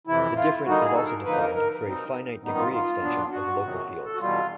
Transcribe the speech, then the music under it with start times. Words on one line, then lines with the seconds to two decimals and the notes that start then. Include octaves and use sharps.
The different is also defined for an finite degree extension of local fields.
0.07 F2 C3 E3 E4
0.37 F4
0.66 D3 G3 A#3 D#4 F#4
0.81 G#4
0.96 A4
1.06 A#4
1.25 D3 F3 A#3 D#4 B4
1.40 A#4
1.55 A#4
1.83 B2 G3 C4 D#4
2.43 F#2 D#3 G3 B3 D#4
2.58 F4
2.73 F4
3.02 A#2 F#3 B3 D4
3.32 F#4
3.61 E2 C3 D#3 F#3
4.05 A4
4.14 F#4
4.20 E2 B2 G3 F4